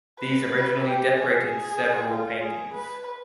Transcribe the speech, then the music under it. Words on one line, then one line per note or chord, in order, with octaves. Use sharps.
These originally decorated several paintings.
B4
G4
G#4
G#4
F4
G#4
B4